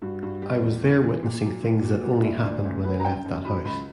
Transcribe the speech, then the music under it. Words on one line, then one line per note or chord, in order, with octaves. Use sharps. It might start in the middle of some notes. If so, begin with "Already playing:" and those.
I was there witnessing things that only happened when I left that house.
G2 F#4
G2 F#4
G3 G4
E2
E2
E3
A#2
F#3
A#2
A#2 F#4
G3 F#4
D4
A#2 E4
D2 D4
D2 C#4
F#3 B4
A#5
F#2 G5
F#2
F#3 B5
C#2 B5